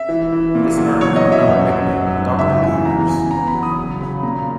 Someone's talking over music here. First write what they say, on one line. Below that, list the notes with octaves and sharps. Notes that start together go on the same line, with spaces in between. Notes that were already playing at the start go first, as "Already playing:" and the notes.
This earned him another nickname, Doctor Ears.
Already playing: E5
E3
E3
A#2
F#3
E2 C#5
D#5
F#3
E5
F#2
F#2
F#3
G#2
C#3 E5
E3 G#5
E2 A#5
E2 G#5
E2 A#5
B5
F#3
D#6
C#3
C#3 B5
A#2 A#5